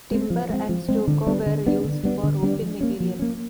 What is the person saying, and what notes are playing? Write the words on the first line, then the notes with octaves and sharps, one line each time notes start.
Timber and stucco were used for roofing materials.
G#3 C4
F3
G#3 C4
F3
G#3 C4
D3
G3 B3 D4
D3
G3 B3 D4
D3
G3 B3 D4
D3
G3 B3 D4
F3
A#3 C#4
F3
A#3 C#4